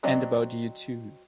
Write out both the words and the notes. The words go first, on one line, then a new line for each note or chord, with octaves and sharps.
And about you too!
F#3 C4 D5 D#5